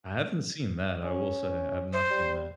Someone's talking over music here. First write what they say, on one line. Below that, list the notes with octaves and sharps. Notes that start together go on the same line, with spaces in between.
I haven't seen that, I will say, I've not seen that.
C#4
C5
G3